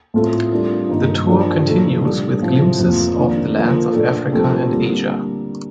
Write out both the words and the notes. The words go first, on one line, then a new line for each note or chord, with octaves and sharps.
The tour continues with glimpses of the lands of Africa and Asia.
A2 A3 C4 F4 A4
G3 D4 F4 A#4
G2 D#3 A#3 D#4
F3 A3 D4 G4 A#4
A#2 A3 D#4 A#4
G3 D4 A4
A2 F3 C4 F4
F2 C3 F3 A#3 F4
D#3 A#3 D4
F3 A#3 F4 A#4
A#2 A3 D4 A4
F3 A3 C4 G4 A#4
D3 G3 A#3